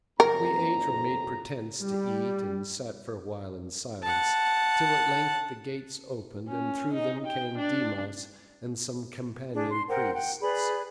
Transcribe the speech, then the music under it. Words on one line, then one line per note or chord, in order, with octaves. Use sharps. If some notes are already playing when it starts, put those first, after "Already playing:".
We ate, or made pretence to eat, and sat for a while in silence, till at length the gates opened, and through them came Dimas and some companion priests.
F#1 F2 A#4 A#5
G3
F#5 A5
C#4
D#4
G5
D4
D4 G#4
C6
A#4 C5 F#5 G5
F#5 G5
G#4 B4 D5 B5